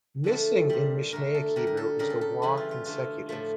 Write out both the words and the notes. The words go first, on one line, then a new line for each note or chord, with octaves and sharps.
Missing in Mishnaic Hebrew is the waw-consecutive.
D3 F3 A3 A4
A#2 G3
D3 A3 A#4
A4
D3 G3 A#4
A#4
A4
C#3 G3 A#4
A4
A4
C#3 E3 G3 E4
F4
F4
D3 A3 F4
A2 F3 A3